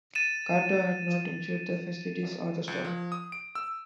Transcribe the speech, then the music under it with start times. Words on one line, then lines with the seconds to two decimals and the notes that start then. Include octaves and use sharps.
Carto had not insured the facilities or the stock.
0.15 A6 D#7 E7
2.68 C#2
2.85 F3
3.12 D#6
3.32 D7
3.55 E6